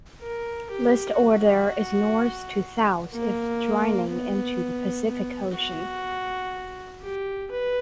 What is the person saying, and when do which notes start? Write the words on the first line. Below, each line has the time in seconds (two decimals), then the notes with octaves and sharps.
List order is north to south if draining into the Pacific Ocean.
0.21 A#4
0.70 G4
1.18 F#4
3.13 A#3
4.10 B3
5.08 B3
5.56 F#4
7.02 G4
7.51 B4